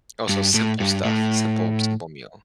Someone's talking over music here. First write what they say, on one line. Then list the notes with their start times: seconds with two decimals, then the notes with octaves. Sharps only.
Oh, so simple stuff; simple simple meal.
0.29 G2
0.54 A2
0.80 G2
1.05 A2